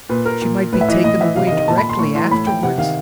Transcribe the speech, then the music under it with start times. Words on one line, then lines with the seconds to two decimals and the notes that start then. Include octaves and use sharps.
She might be taken away directly afterwards.
0.09 A#2 B4
0.25 A#4
0.42 A#2
0.73 A2 B4
0.81 E5
0.89 E3 D#5
1.04 A2 D#5
1.20 E3 E5
1.36 C3 F5
1.47 D#5
1.52 D#3
1.57 D#5
1.68 A#2 A5
1.78 B5
1.89 C6
1.99 A2 C#6
2.15 E3 C6
2.31 A2 B5
2.46 E3 G5
2.63 C3 F#5
2.78 D#3 F5